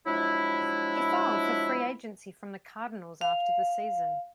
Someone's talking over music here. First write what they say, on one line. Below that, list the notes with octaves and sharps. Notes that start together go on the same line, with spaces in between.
He filed for free agency from the Cardinals after the season.
F3 F#3 G#3 D4 E4
F5